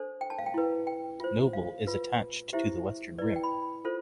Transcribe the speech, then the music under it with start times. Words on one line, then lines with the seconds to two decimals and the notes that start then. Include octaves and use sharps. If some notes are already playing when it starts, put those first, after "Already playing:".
Nobile is attached to the western rim.
Already playing: D4 A4 C5
0.21 G5
0.30 A5
0.38 F5
0.46 G5
0.54 E4 B4
0.87 G5
1.20 F4 C5
1.53 F5
1.87 F4 B4
2.53 E4 G4 C5 E5
3.18 E4 B4 D5
3.36 G5
3.43 B5
3.85 F4 A4 C5